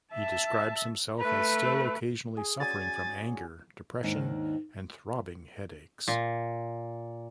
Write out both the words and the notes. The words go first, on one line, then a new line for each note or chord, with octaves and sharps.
He describes himself as still occasionally suffering from anger, depression, and throbbing headaches.
E5 A5
A3 B4
G#4
F#3 C#4 D5 G#5 A6
D#2 G#2 D#3 D4
A#2